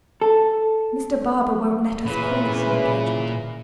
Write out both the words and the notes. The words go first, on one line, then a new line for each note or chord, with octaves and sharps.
Mr. Barbour won't let us call it an engagement.
A4
A#2 C#3 E3 B4